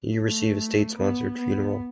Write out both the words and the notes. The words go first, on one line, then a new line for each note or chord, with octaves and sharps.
He received a state sponsored funeral.
A3
B3
B3